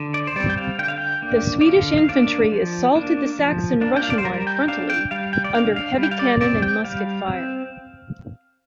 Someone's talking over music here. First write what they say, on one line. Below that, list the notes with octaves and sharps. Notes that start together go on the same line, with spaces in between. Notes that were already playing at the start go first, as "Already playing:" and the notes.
The Swedish infantry assaulted the Saxon-Russian line frontally, under heavy cannon and musket fire.
Already playing: D3
D5
C5
G3 C4 D5
G5
F5
D3 G5
F5
G5
A#3 D4
D5
D3 F5
F5
A#3 D4 D5
F3
A#3 D4
F3
A#3 D4
G5
F5
D5
C5
G3 A#4
G5
D4 F5
G5
G3 F5
G5
D5
D4 F5
F5
G3
G5
F5
D5
C4 D5
G5
G3 F5
C4